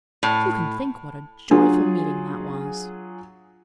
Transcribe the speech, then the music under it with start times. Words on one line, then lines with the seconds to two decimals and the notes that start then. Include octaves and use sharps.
You can think what a joyful meeting that was!
0.23 A2
1.51 F#3 D4 F4 G#4